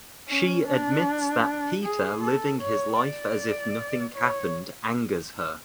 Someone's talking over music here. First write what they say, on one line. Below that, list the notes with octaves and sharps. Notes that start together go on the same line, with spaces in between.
She admits that Peter living his life as if nothing happened angers her.
C#4
D4
G#4
A4
C#5
D5
C#5